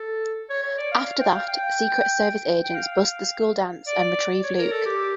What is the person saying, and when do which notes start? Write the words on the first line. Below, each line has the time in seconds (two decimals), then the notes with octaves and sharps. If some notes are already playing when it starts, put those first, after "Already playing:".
After that, Secret Service agents bust the school dance and retrieve Luke.
Already playing: A4
0.50 C#5
0.63 C#5
0.78 D5
0.92 F5
1.06 F5
1.20 G5
1.34 F5
1.48 G5
2.64 G5
2.75 F5
3.87 D5
4.43 C#5
4.58 A#4
4.72 A4
4.86 G4